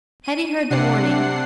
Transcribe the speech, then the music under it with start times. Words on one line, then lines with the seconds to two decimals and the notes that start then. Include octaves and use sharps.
Hetty heard the warning.
0.24 D#7
0.70 C3 D4 F#5 C7